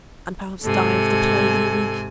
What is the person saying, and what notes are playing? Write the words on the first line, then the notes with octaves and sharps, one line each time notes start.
"And perhaps die of the plague in a week."
G#2 C3 A4 G#5